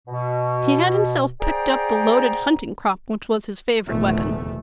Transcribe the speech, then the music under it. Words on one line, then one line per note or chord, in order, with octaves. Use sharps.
He had himself picked up the loaded hunting-crop, which was his favourite weapon.
B2
G#4 C5 D5 F#5 G5 A#5
F1 E2 A#2 D#3 A3